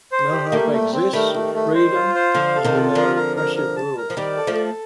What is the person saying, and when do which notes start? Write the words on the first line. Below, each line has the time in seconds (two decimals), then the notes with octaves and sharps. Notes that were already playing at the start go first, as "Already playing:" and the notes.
No hope exists of freedom under their oppressive rule.
0.12 C5
0.32 G4
0.52 G3 A3 A#3
0.72 A3
0.93 C4
1.13 D#3 G3 A3
1.34 A3
1.54 A3
1.74 C5
1.94 F4
2.15 C5
2.34 D3 F3 F5
2.55 A4
2.64 C3 D#3
2.76 F4
2.95 D3 F3 A#4
3.16 A#4
3.36 A#4
3.56 A#4
3.76 A5
3.97 A#4
4.10 F3
4.17 D#3 G3 D5
4.37 A4
4.47 F3 A3
4.58 A4